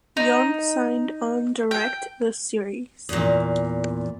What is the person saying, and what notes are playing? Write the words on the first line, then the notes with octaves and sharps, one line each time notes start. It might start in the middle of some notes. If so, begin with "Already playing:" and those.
Yeon signed on direct the series.
D#4
G5
E2 A#2